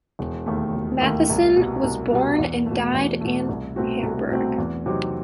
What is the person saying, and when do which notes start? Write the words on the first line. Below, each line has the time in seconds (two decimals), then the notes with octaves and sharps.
Mattheson was born and died in Hamburg.
0.19 E1
0.46 D#2 D#3 A3
0.74 E1
1.01 D#2 D#3 A3
1.30 C2
1.56 B2 G3
1.83 C2
2.12 B2 G3
2.39 E2
2.66 A3
2.71 B2
2.94 E2
3.21 B2 A3
3.49 C2
3.76 B2 A3 C4 F#4
4.03 C2
4.31 B2 A3 C4 F#4
4.58 E2
4.86 C3 F#3 C4 D#4